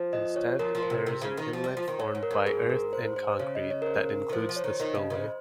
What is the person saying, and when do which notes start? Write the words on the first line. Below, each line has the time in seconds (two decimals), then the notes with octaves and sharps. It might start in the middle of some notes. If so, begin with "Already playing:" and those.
Instead, there is an inlet formed by earth and concrete, that includes the spillway.
Already playing: F3
0.13 D#5
0.36 C#5
0.59 F3 A#4
0.75 F3 A#4
0.83 C5
0.90 C3
1.06 C3
1.22 C#3
1.37 D#3
1.53 F3
1.64 G3
1.77 F3
1.88 D#3
2.00 G#2 C#5
2.15 G#2
2.23 A#4
2.31 G2
2.46 G#2 G#4
2.70 A#4
2.93 C5
3.16 C5
3.39 C#3 C#5
3.55 D#5
3.71 C#5
3.82 A#4
3.86 C5
4.09 A#4
4.29 D#3
4.33 F3 C5
4.49 F3
4.56 C#5
4.64 D#3
4.80 D#3 D#5
4.95 C#3 D#5
5.10 C#3 C5